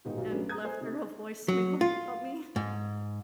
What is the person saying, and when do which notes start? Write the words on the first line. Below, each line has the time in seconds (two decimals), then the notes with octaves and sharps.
and left her a voicemail about me.
0.05 D#1 G#2 B2 D#4 G4
0.17 B1 F#4
0.31 F#3 A3 B3 C#4 D4
0.49 A#5 D#6 G#6
0.64 A4 C5 G#5
0.81 C3 D#4
1.48 F#3
1.81 F4
2.56 G#2